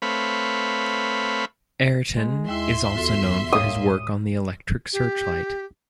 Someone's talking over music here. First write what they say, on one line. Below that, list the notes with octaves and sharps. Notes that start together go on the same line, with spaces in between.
Ayrton is also known for his work on the electric searchlight.
A3 C4 B4 C#5 F5 B5
G#3
D#2 E4 E5 C6
E2 F4 F#4 A4
A2 G#3 A#3 C#5 D#6
G4